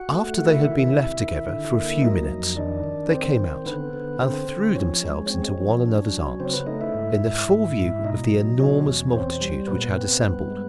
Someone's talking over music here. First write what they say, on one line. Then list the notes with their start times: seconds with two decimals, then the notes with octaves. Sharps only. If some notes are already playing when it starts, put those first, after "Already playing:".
After they had been left together for a few minutes they came out, and threw themselves into one another's arms, in the full view of the enormous multitude which had assembled.
Already playing: F#4 F#5
0.10 A3
0.38 D#3 F#4 F#5
0.52 E4 E5
0.65 D#3 E4 E5
0.79 E4 E5
0.93 C3
1.20 D#3
1.47 D3
1.74 A#3
2.02 F#3 D#4 D#5
2.29 F2
2.57 D#3 D4 D5
2.84 D#3
3.11 D#3 C4 C5
3.39 D#3
3.66 D3 B3 B4
3.93 D3
4.20 D3 C4 C5
4.49 D3
4.75 F3 C#4 C#5
5.03 G#3
5.30 C4 C#4 C#5
5.58 F3
5.86 D4
6.12 F#3
6.40 C#3 C4 C5
6.53 B3 B4
6.67 A3 D#4 D#5
6.81 E4 E5
6.94 G#2
7.22 G#2
7.49 G#2
7.77 G#2
8.04 B2 D#4 D#5
8.32 F#3
8.58 B2 C#4 C#5
8.86 E2
9.13 C4 C5
9.41 G3
9.68 A#2 B3 B4
9.95 C4
10.23 G2
10.50 G#3